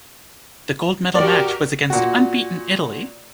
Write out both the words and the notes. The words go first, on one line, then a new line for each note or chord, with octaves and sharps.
The gold medal match was against unbeaten Italy.
F#4 G4 A#4 D5
A#2 F#4